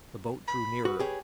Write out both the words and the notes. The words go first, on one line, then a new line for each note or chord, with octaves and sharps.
The boat drew nearer.
B5
F#4 B4
G4 G#4 C#5